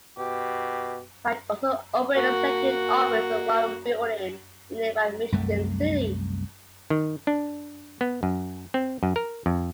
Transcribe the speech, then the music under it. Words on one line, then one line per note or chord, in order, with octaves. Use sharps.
Wright also opened a second office in the Warren Building in nearby Michigan City.
B2 G4
A#3 F#4
C2 F#2 A3
D#3
D4
B3
F#2
C4
F#2
A#4
F2